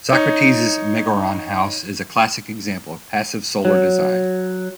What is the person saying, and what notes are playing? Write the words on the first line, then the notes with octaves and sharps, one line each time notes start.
Socrates' Megaron House is a classic example of passive solar design.
D#4 C#5
F#3